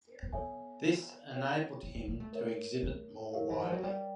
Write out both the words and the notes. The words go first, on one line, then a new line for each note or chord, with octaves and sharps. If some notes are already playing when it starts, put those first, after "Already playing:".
This enabled him to exhibit more widely.
C4
B3 A4 C#5 E5 G#5
C#5 E5 G5
C4
C4
A#3
A3
A#4 C#5 E5
A3
G4 A#4 C#5 F5
E3
F3
F#3
G3